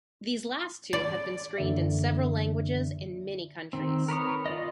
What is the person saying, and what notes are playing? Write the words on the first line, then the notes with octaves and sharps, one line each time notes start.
These last two have been screened in several languages in many countries.
D5
F#2 D3 E3 A#3 D5 E5
D#3 C4
A#4 B4 C#5 D#6
F4 D5 D#5